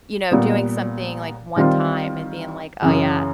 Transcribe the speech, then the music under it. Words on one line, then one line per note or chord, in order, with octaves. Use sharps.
you know, doing something, like, one-time and being like, "Oh yeah”
A#2 G3 B3
D#3 G3 C4 F4
F#2 C#3 E3